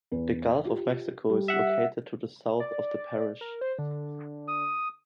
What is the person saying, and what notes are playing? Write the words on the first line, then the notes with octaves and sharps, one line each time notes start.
The Gulf of Mexico is located to the south of the parish.
E2 B4
F4 G4
G3
E5 F#5
D5
A#4
C5
D3
D#6